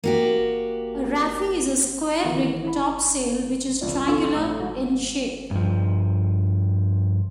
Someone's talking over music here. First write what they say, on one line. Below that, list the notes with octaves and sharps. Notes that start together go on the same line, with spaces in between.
A raffee is a square-rigged topsail which is triangular in shape.
A#3 F#4 G4
D#3 E3 B3 F#4
E4 B5
C#2 F3 D5
C4 F4 A4 C6 C#6 E6
A2 E6
G#2 F#4
G2 F3